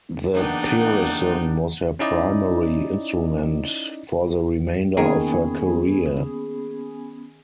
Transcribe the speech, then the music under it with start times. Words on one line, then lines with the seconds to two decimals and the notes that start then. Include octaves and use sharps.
The Peresson was her primary instrument for the remainder of her career.
0.35 E2 A#3 B3 D4 D#4 F#5 G5
1.99 C#4 D#4 E4 D5 D#5
4.97 D#3 A#3 B3 C#4 G#4 B5